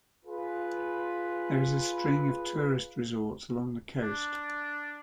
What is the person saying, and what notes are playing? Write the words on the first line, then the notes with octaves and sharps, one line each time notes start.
There is a string of tourist resorts along the coast.
F4 G#4 B4
D4